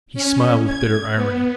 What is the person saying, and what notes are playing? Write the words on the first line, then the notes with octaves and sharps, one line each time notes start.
He smiled with bitter irony.
C#4
G#6
B3